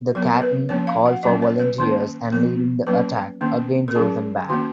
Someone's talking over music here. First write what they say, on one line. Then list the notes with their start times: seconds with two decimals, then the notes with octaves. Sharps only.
The captain called for volunteers, and leading the attack, again drove them back.
0.15 F#3 B3 A#4
0.42 B4
0.69 F3 A#3 C#4 C#5
0.87 F5
1.06 F#5
1.23 F#3 A#3 C#4 D#5
1.42 C#5
1.59 B4
1.78 D#3 A#3 C#4
2.32 F3 B3
2.87 F#3 A#3 C#4 B4
3.41 D#3 A#3 C#4
3.88 A#4
3.95 F#3 C#4 G#4
4.49 D#3 A#3 C#4 F#4